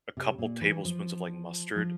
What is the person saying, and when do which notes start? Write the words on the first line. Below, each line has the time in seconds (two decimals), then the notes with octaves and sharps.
a couple tablespoons of, like, mustard
0.17 C3
0.38 A#2
0.61 E3
0.85 F3
1.76 F3